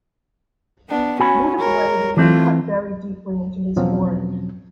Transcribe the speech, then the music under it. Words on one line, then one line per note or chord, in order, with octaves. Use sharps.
Muta bladed and cut very deeply into his forehead.
B3 D4
C#4 F#4 G#5 B5
A#4 C#5
E3 A3 C4 F4
E2 B2 F3 F#3 C4 C#4